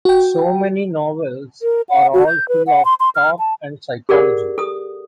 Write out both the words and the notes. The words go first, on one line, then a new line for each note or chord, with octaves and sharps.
So many novels are all full of talk and psychology.
F#4 G5
A#4
F#5
F#4
G6
B4
F#5
C6
C6
F6
A5
G4 G#4 A#4 D5 F#5
A4 D#6